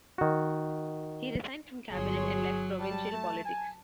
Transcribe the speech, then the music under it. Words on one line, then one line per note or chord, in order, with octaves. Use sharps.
He resigned from cabinet, and left provincial politics.
D#3 F#4
G1 F#3 G#4 C#5 C6
G3 A5
A3
G#5